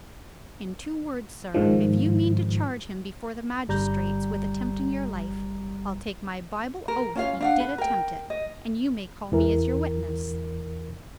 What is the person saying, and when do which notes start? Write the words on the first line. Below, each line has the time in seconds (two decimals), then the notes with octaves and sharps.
In two words, sir, if you mean to charge him before the magistrates with attempting your life, I'll take my Bible oath he did attempt it, and you may call me as your witness.
1.54 G#2 D#3 F3
3.68 G1 G3 A#5 G6
6.88 A#4
7.15 C#4 F4 F5
7.41 D4 F5 F#5
7.60 B4
7.78 A#4 G5
8.30 D#5
9.32 E2 E3 A#4